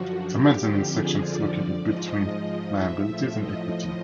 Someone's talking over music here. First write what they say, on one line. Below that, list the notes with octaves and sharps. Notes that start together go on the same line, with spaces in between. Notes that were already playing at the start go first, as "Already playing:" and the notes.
The Mezzanine section is located between liabilities and equity.
Already playing: F#2 D3 F3 F#4
G4
F2 D3 F3
G#4
D5
G#2 F3 D#5
E5
A2 F3
D#5